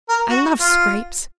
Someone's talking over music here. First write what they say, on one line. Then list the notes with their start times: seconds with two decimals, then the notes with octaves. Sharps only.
I love scrapes.
0.09 A#4
0.30 F#4
0.60 F4